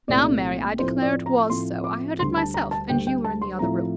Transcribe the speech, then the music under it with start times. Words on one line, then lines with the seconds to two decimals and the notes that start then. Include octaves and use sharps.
Now Mary, I declare it was so, I heard it myself, and you were in the other room.
0.08 C2 A#2 A3 C4 D5
0.79 A2 F3 A3 C4 C5
1.02 D5
1.26 A#5
1.49 A2 F3 A3 C4 C6
1.84 D6
2.19 D2 D3 G3 C6
2.37 A5
2.54 A#5
2.71 A5
2.89 D2 D3 G3 G5
3.07 G5
3.24 A5
3.42 C6
3.59 A2 F3 A3 C4 A#5